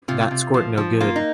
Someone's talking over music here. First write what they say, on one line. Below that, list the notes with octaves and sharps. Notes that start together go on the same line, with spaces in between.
That squirt no good.
C3 F4
C3
F3
F3
A#3 F4
D#4